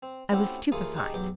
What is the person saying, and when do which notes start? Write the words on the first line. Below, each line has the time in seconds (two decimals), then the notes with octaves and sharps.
I was stupefied.
0.03 C4
0.31 A3 C4 C#4 E4 F#4 G4
0.72 D#2 A3 A#3 F4 G#4 D#6
0.96 D#4 G4 G#4 A5 C#6
1.14 A1 E2 F#3 G4